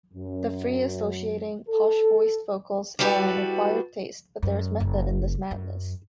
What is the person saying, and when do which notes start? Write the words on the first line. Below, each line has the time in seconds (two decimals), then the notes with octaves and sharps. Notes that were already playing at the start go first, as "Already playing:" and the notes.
The free-associating, posh-voiced vocals are an acquired taste, but there's method in this madness.
0.14 F#2
1.68 A4
2.99 G3 E4 F#4 G4 A4 B4
4.42 F#2
4.80 F#1
5.51 F#2